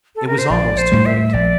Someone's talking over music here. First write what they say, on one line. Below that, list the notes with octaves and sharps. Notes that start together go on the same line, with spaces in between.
It was almost too late.
A4
A#4
C5
A#1 D5
C5
A2 G3
E5
A#1 D5